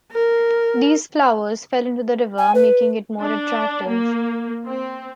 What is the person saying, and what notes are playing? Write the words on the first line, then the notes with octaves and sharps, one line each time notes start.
These flowers fell into the river making it more attractive.
A#4
G#5
B4
D4
A#3
C4